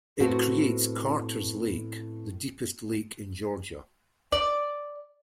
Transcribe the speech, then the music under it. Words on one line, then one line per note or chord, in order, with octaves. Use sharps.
It creates Carters Lake, the deepest lake in Georgia.
A2 B3 C4 F#4
D5